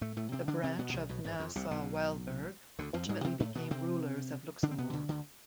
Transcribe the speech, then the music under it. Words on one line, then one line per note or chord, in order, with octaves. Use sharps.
The branch of Nassau-Weilburg ultimately became rulers of Luxembourg.
A2 A3
A2 A3
C3 C4
D3 D4
C3 C4
B2 B3
B2
C2 C3
B1 B2
G#1 G#2
F2
C2 C3
B1 B2
D2 D3
F2 F3
G#2 G#3
C3 C4
A2 A3
B2 B3
C3 C4
D3 D4
C4
B2 B3
E3
D2 D3
D2 D3